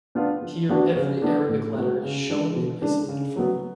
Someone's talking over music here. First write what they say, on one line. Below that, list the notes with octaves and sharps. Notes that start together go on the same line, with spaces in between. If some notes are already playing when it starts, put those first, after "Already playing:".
Here every Arabic letter is shown in isolated form.
B3 D4 F4
F3
B3 D4 F#4
C#3
F3 B3 D4
A2
G#3 B3 F#4
C#3
F3 G#3 D4
B2
G#3 D4
C#3
F#3 B3